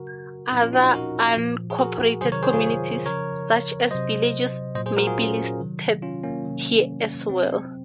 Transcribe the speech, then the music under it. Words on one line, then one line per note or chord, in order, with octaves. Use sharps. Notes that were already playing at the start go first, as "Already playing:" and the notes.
Other unincorporated communities, such as villages, may be listed here as well.
Already playing: C#3 F#3 F#4 A#4
A#2 F3 C4 D#4
C#4 F4
D#4 F#4
D#4 F#4
F#4 A#4
A#2 F3
G#4
F#4 A#4
C3 D#3 F#3 G#4 C5
A#4 C#5
G#4 C5
F4 G#4
C#3 F3 A#4 C#5
C3 F#3 C5 D#5
A#2 F#3 C5 D#5
G#4 C5
F#4 A#4
F4 G#4
C#4 F4
C3 D#3 F#3
C#4 F4
A#3 C#4
C3 D#3 F#3
C3 F#3 C4